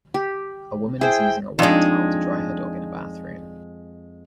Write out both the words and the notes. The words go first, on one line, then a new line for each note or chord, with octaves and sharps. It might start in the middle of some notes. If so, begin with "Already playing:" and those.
A woman is using a white towel to dry her dog in a bathroom.
G4
E4 G#4 C5 G5
F2 G#3 D4 D#4